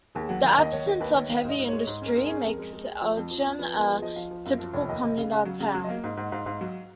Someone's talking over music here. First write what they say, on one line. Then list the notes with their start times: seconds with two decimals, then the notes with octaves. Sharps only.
The absence of heavy industry makes Edegem a typical commuter town.
0.15 D#2 G#4
0.29 F#3 F#5
0.43 D#3 F5
0.58 D#2 D#5
0.72 D#3 C#5
0.86 D#3 D#5
1.00 D#2 B4
1.15 D#3 C#5
1.30 D#3 F5
1.45 G#2 D#5
1.59 G#2
1.68 G#3 C#5
1.87 G#2
2.02 C#4 A#4
2.16 G#2
2.26 C#4 G#4
2.45 F2 A#4
2.59 G#3
2.73 G#3
2.87 G#3
3.02 F3
3.17 F2
3.31 F3
3.45 F2
3.59 F3 B4
3.74 B3 A#4
3.88 F3 G#4
4.02 F3 D#5
4.16 F3 F5
4.31 F3
4.46 F#2 F5
4.60 F3
4.74 F1 C#5
4.89 D#2 D#5
5.03 F1 D#5
5.17 C#3 F5
5.31 C#3 F5
5.45 F#3
5.60 C#3 F#5
5.74 F#3
5.84 D#5
5.89 A#3 F5
6.04 G#2 F5
6.17 G#2 F#5
6.32 G#2 F5
6.46 G#2 F5
6.61 F#3